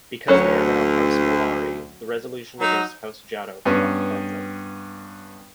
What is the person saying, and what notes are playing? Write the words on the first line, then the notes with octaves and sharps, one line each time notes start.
Because they are now House Mollari, the resolution against house Jaddo cannot harm them.
D2 F#3 C#4 C#5
F#3 D#4
G2 B3 C#4